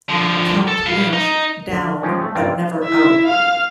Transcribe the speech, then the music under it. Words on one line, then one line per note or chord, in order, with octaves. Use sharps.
Count Lynch down but never out.
D3 F3
A4
B4 F5
D#4
D3
F3 G#3 C#4 G4
A3
G2 A#3 C4 F4 G5
E4 E5
F5 F6